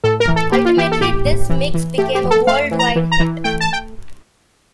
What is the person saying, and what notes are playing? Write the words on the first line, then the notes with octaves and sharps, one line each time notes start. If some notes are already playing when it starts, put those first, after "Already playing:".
Ultimately this mix became a worldwide hit.
A2 A4
A#4
E3
A4
A#3 G4
F4
E3 G4
A4
A2 G4
A2
E3
E3
A3 G4
G4
F2
A4
A3 F5
E3
A#5
E3
A#5
E3
A3 G5
A5
G5